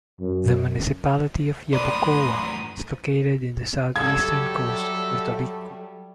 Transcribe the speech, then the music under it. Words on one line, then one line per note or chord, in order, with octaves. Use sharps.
The Municipality of Yabucoa is located in the south-eastern coast of Puerto Rico.
F#2
F#2 A2 B4 D5 A#5 C6 D#6
F#3 G3 A3 G4 A4 G#6